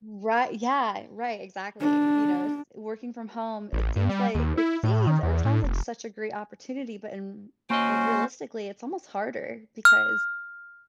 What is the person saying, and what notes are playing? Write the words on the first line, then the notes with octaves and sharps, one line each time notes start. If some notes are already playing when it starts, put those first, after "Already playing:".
Ri yeah. Right, exactly. You know, s working from home, it seems like it seems or it sounds like such a great opportunity, but in r like, realistically, it's almost harder, because
D4
A1
G2
G3
D#2
E4
A2
D#3
E2
A2
F1
A#3 C#4 F#4 C5 D#5
F6